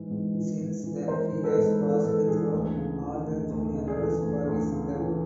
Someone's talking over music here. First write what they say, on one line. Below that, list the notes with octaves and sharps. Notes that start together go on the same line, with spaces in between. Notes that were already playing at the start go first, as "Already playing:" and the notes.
Since then he has passed through all the junior levels for his club.
Already playing: G#2 E3
G#2
E3
G#2
E3
G#2 A#4 C5
E3
A4 B4
G#2
A#4
E3 A4
G#2 A4
E3 G#4
D2
C#3
E3
D2
D2
C#3
G#4
E3 A4
D2
D2
C#3
E3